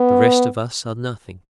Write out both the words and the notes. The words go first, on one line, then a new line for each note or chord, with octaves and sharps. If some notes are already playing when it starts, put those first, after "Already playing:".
The rest of us are nothing.
Already playing: B3